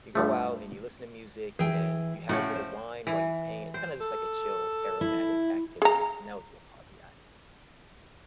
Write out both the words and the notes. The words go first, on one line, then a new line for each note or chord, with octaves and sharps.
you go out and you listen to music and then you have a bit of wine while you paint. It's kinda just like a chill aromatic activity, and that was a little hobby I
G2 F3 A3
E3 G#4 G5
A2 C#3 C#5 F#5
C5
E3
C5
A4
E4
G#4 A#5